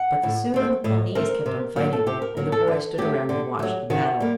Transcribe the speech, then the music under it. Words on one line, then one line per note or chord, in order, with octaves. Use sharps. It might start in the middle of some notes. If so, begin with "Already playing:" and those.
But the Sioux and the Pawnees kept on fighting, and the boy stood around and watched the battle.
Already playing: F#5
A2
A3 C4
A2 D#5
A3 C4 A#4
C3
F#3 A#3 A#4
A4
C3 G4
A#4
F#3 A#3 A#4
A4
D3
F#3 A3 G4
D3
F#3 A3
D#3 F#4
G3 A#3